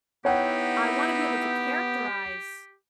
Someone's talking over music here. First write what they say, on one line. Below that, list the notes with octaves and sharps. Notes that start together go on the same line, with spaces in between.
I wanna be able to characterize
B3 D#4 E4 G4 C#5 F#5 G5